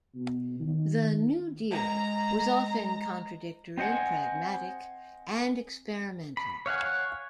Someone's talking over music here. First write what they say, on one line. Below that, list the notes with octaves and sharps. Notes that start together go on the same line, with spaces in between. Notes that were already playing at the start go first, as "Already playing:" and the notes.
The "new deal" was often contradictory, pragmatic, and experimental.
B2
D#3
G#3 A#5
C4 C5 D#5 F#5 G#5
B5
C#5 F5 F#5 G#5